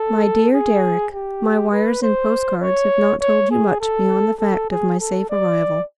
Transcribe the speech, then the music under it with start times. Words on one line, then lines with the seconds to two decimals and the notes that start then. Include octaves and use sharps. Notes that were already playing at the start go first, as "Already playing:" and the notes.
My dear Deryck: My wires and post-cards have not told you much beyond the fact of my safe arrival.
Already playing: A4
0.54 G#4
1.13 G4
1.72 B4
2.02 C5
2.62 C#5
3.20 C#5
3.51 G#4
3.80 A4
4.40 A4
4.70 G#4
5.00 A4
5.29 D5